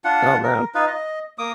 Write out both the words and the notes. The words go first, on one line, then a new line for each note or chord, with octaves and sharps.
Oh man.
D4 F4 F#5
A#4
D#4 F4 B4
D#5
A#3 D6 D#6